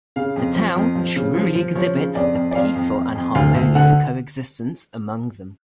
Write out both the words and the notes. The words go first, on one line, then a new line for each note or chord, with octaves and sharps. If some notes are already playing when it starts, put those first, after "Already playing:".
The town truly exhibits the peaceful and harmonious coexistence among them.
C#3 F5
F2
F3
F2
F3
C#3
F3
F3
F3 C#5
C#3
F2 D5
F2
D5
F2 F5
F2
F2
F2
D2 F5
D2
D3 F#5